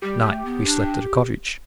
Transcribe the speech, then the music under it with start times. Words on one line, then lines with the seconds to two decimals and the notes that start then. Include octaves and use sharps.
At night we slept at a cottage.
0.02 G3 G4
0.24 A3
0.45 B3
0.66 D4